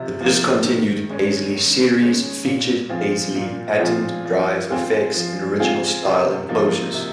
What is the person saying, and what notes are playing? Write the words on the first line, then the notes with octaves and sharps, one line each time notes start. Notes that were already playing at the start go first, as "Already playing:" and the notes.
The discontinued Paisley series featured paisley-patterned drive effects in original style enclosures.
Already playing: C3 F3
F3 A#3
D#3
G#3 C#4
D#3
G#3 C#4
A#2
F3 C4 F4 G#4
A#2
F3 C4 F4 G#4
F3
C4 F4 G#4
F3
C4 F4 G#4
C3
F3 A#3 D#4
C3